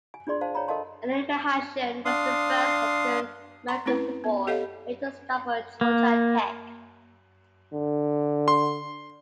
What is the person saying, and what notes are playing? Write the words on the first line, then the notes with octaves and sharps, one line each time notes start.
Eddie McAshan was the first African American football player to start for Georgia Tech.
G#5
D4 F4 G#4 D5 C6
C5 F5 A5
C#5 G5 A#5 B5
A4 A#4 D#5 F5 A5 C6
D4 F5 C6 D#6
A#5 C6 C#6
A3 C4 C#4 E4 B4
B3
G4 A4 C#5 D#5 F5 F#5
A#3
D3
C6